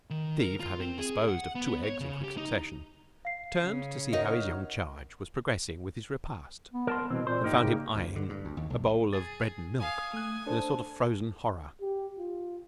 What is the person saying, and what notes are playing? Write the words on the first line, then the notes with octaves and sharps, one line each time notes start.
Steve, having disposed of two eggs in quick succession, turned to see how his young charge was progressing with his repast, and found him eyeing a bowl of bread-and-milk in a sort of frozen horror.
D#3
A#4
F4
C4
G#4
F#5
B3
C#5
C#3
G4
D#4
F5 C7
C#3
D#4 F#4 A#4 C#5
B3
A#4 A5 C6
C2 B2 E3 C4
A#2 C5
G#2 A#3 D#4 G4
C#3
D2
D3
G2
D2
D#2
B1
G#4 A6
F5 G#5 D#6
A3 G#5 F#6
D4 A4 C5 A5
G4
F4